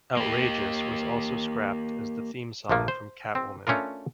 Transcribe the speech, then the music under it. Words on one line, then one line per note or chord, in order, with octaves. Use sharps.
"Outrageous" was also scrapped as the theme song from "Catwoman".
A#3 G4
A#1 F3 A3 A#3
C5
C4
A3 C#4 D4 F4 A#4